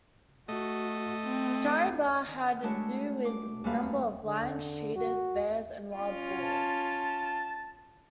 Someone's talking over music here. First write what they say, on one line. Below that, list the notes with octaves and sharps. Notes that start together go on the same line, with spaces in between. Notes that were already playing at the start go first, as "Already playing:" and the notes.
Shahi Bagh had zoo with number of lions, cheetahs, bears and wild boars.
A3 F#4 D#5
C4
D#3
G#3 A3 D4 E4 F#4 C#5
D6
F#2 G3 A3 A#3 B4 F5
D3
F#4
C#4 F4
A5